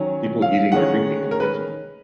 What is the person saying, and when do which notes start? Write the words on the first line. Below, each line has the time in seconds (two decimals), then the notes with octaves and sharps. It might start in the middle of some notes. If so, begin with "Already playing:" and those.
People eating or drinking in a kitchen.
Already playing: D#3 F#3 C#4
0.42 F5
0.72 D#3 G#3 C#4 F#5
1.31 A#4
1.40 B4